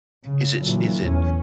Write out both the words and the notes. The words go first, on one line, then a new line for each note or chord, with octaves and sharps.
Is it s is it,
C#3
A#2 D3 E3 F#3
E2 C#4